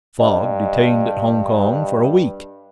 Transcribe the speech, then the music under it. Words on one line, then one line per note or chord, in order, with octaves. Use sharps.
Fogg detained at Hong Kong for a week!
G2 D#5